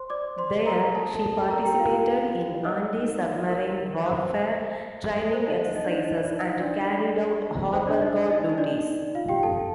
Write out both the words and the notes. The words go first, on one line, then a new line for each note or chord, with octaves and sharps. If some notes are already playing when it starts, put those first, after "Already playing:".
There, she participated in antisubmarine warfare training exercises and carried out harbor guard duties.
Already playing: C5 C6
D5 D6
C5 C6
A#4 A#5
A4 A5
A4 A5
A#4 A#5
G4 G5
F4 F5
D#4 D#5
A#4
C5
A4
C5
D#4 D#5
D#4 D#5
D4 D5
C5
D#4 D#5
D#4 D#5
D4 D5
C5
D4 D5
D#4 D#5
D#4 D#5
D#4 D#5
D4 D5
F4 F5
G4 G5
A4 A5